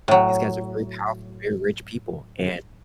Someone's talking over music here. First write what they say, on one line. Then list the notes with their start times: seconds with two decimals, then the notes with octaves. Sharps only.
these guys are very powerful, very rich people, and
0.08 A2 F#3